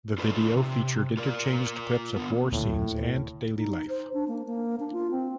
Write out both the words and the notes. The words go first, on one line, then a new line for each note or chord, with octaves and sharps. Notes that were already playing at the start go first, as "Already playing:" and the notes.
The video featured interchanged clips of war scenes and daily life.
D4 D#4 F4 A4 B4 C5
C3
F4 A#4 D5
D3 B3
D#1 D2 A2 A#3
D#4
C5
D4
A#3
A#3
D4
F4
C4